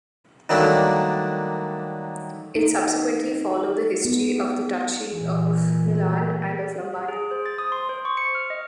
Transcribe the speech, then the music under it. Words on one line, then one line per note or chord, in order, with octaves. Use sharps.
It subsequently followed the history of the Duchy of Milan and of Lombardy.
D#3 F#3 G3 A3 A#3 D4
D#4
B3
A#2 E3
G#4
C5
A6
D#6
C6
C5
C#6
C#7
F6
D#5